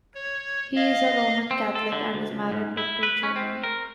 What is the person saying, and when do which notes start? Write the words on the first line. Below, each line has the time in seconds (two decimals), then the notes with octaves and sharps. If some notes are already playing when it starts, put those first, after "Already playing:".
He is a Roman Catholic and is married with two children.
0.14 C#5
0.75 D#5 F5
1.51 C4
1.75 A4
1.92 D3
2.14 D2
2.31 C#2
2.52 G#2
2.77 E4
3.03 B4
3.23 C#4
3.36 C4
3.64 A#4